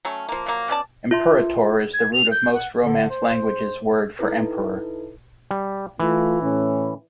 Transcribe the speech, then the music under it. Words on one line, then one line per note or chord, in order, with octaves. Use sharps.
"Imperator" is the root of most Romance languages' word for emperor.
F#3 A3 C#4
F3 A#3
F3 F#3 A#3
B2 C#4 D5 A5
F4 E5 C6
G#6
F7
G6
F#5
D3
C5
D#4 E4 A4 B4
G3
E3 A3 F4
A2 C#4